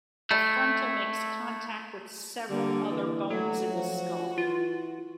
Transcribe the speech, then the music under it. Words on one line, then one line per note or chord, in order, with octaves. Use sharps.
The frontal makes contact with several other bones in the skull.
A3 E4
D3 G3 A#3
E3
F#3 A3 F#4
F3
E3 F4